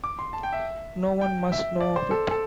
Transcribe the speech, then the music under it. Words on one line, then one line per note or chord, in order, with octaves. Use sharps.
No one must know of it.
D6
C6
A5
G5
E5
G5
E5
D5
C5
A4
A4